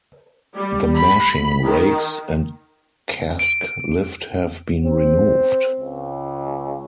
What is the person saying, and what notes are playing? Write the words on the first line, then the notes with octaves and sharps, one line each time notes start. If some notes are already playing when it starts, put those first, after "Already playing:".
The mashing rakes and cask lift have been removed.
G3
B5
D#3
D7
C4
C#2